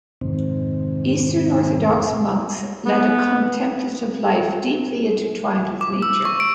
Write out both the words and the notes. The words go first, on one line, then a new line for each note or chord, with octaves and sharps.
Eastern Orthodox monks led a contemplative life deeply intertwined with nature.
F2 G#2 C3 D#3 C4
B3
D6
E6
C#6
D7